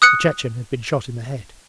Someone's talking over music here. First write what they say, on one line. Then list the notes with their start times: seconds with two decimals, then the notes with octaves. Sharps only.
The Chechen had been shot in the head.
0.02 D#6 F#6 C#7